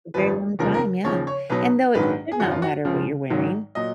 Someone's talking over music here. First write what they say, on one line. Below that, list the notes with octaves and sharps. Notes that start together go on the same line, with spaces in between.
A very long time, yeah, and though it should not matter what you're wearing,
G#1 F#2 F3 B4
F1 D#2 C#3 F3 A#4
A#4
D#2 C#3 F3 C#5
C#5
B1 B2 F#3 B4
A#1 G#2 D#3 F#3 B4
G#4
G#1 F#2 F3 F#4
F4
F#4
C#2 C#3 F3
G#1 G#2 D#3 F#3
A#2 F#3 D#5